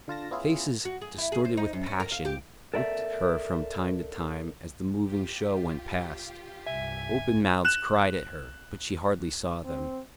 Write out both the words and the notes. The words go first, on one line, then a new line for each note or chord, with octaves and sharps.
Faces, distorted with passion, looked at her from time to time as the moving show went past, open mouths cried at her; but she hardly saw them.
D3 F4 A5 A#6
B3 C#4 E4 F4 G#4
F#4
G#4
E4
G#4
C5
D#4
F#2
C#4
A#4
F5
G4
A4 A#4 D5 E5
F4 G4
C2 G2 E5 G#5
F#6 E7
C4